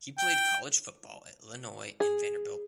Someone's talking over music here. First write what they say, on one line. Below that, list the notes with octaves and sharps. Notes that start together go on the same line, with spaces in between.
He played college football at Illinois and Vanderbilt.
G5
G#4